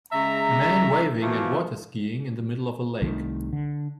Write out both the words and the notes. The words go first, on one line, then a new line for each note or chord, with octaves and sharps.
A man waving and waterskiing in the middle of a lake.
C#3 G#3 E5 A#5
B2 E3 F3 A3 A#3
C2 D#3 A3
D3